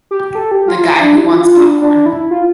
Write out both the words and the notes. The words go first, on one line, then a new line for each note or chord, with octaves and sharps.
The guy who wants popcorn.
G4
A4
G4
F4
E4
D4
E4
F4
D4
D4
E4
F4